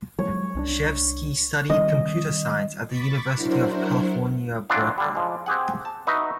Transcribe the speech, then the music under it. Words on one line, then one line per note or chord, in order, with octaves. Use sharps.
Chevsky studied Computer Science at the University of California Berkeley.
F#3 G#3 C#5
C2 C#4 D4
D#3 G3 C4 D#5
B5 C#6 D6 A6 B6
F#3 D4 E4 F#4 A#4 C5
E3 F#3 B3 C4 D4 F4
D3 G3
F3 G#3
C4 G4 G#4 F#5
A5
D#4 F#4 B4 E5